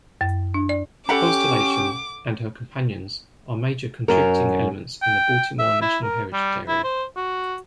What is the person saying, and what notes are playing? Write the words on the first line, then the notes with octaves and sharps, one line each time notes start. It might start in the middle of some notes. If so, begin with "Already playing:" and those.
"Constellation" and her companions are major contributing elements in the Baltimore National Heritage Area.
F#2
D4
D5
C#4 G4 A4 F#5 B5 D6
F#2 A#4
G5
E5
E4
A#4
G3
E4
C5
F#4